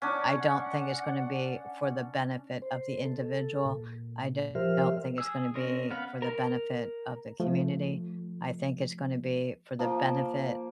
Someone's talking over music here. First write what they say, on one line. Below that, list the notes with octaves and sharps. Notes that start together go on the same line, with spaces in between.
I don't think it's gonna be for the benefit of the individual. I do not think it's gonna be for the benefit of the community. I think it's gonna be for the benefit
C#4 D4 F#5
C5
A4
A#2
F3 G4 A#4 C5 E5 F6
G#4 E6
C4 C#4 A#4 D#5
B3 F5 B5
A#4
F3 A3
F3 A#3